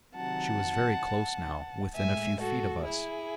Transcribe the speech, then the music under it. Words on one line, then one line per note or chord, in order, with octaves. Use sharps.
She was very close now, within a few feet of us.
C3 D#3 F#3 F#5 A5
A2 G#3 E5 G#5
F#4 A4
E4 G#4